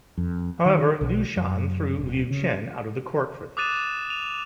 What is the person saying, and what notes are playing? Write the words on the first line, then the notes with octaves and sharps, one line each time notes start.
However, Liu Shan threw Liu Chen out of the court for this.
F2
D#3
B1
F#2
D#1
C#3
D6 D#6 F#6 A6 D#7 E7
D#7 F7